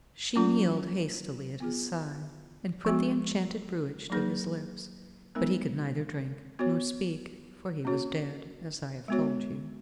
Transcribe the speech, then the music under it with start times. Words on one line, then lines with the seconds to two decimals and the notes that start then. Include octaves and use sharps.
She kneeled hastily at his side, and put the enchanted brewage to his lips, but he could neither drink nor speak, for he was dead, as I have told you.
0.36 F#3 A#3 C#4 F4
1.60 B3 F4 G#4
2.85 F3 G#3 B3 F#4
4.10 F#3 A#3 D#4 G#4 B4
5.35 G#3 B3 D#4 A#4
6.59 B3 F#4 C#5
7.84 A#3 C#4 F#4 C#5
9.08 G#3 B3 F#4 C#5